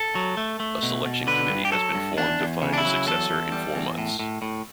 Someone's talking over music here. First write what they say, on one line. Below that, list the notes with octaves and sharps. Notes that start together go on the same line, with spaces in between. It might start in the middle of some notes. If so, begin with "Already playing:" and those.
A selection committee has been formed to find a successor in four months.
Already playing: A4
F#3
A3
A3
B2
B2
D3 B4
G2
G4
F#3 A4
G2
E2 D4
E2
C#3
D4
E4
F#3
E2 A4
E2
G3
E2
A2
A2
A2